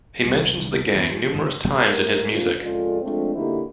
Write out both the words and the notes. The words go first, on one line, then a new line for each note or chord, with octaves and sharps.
He mentions the gang numerous times in his music.
E1 C2
D#2 E3 F3 B3
F3
G#2 D#3 E3
A3 A#4
D2 C#3 A#3 F4
F2 C#3 G#3 F4 A4 D5
F3 G#3 A3 C4 D4
D3 A#3 D#4 E4 F#4 G4